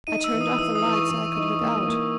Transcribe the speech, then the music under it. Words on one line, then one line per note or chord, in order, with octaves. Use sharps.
I turned off the light so I could look out.
D#4 D#7
E6
E3
D#6
E3 E6
D#6
E3
C#6
E3
D#4
A#3
A#3